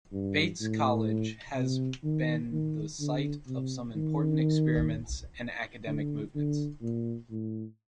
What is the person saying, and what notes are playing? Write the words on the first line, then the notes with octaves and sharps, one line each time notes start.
Bates College has been the site of some important experiments and academic movements.
G2
A2
C3
D#3
D#3
D3
C3
D#3
D3
D3
A#2
A2